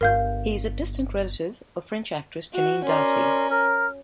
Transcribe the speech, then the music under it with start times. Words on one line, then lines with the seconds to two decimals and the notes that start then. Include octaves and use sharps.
He is a distant relative of French actress Janine Darcey.
0.01 G1 A#4 F5 G6
2.54 F#4
2.87 C#4 A#4 D5 C6
3.49 A#4 F6